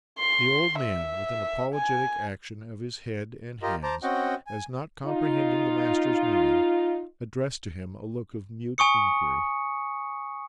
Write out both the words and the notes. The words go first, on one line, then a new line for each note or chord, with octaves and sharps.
The old man, with an apologetic action of his head and hands, as not comprehending the master's meaning, addressed to him a look of mute inquiry.
C6
E5
G#5
F4 G4 A#4 D#5
C5 A5 A#5 D6
C4 C#4 F#4 D#5 F#5 G5
G#5
D#4 F4
G#5 C#6 D#6 C#7